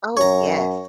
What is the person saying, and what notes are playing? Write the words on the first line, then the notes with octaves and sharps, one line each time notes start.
Oh, yes.
F#2 C#5 A#5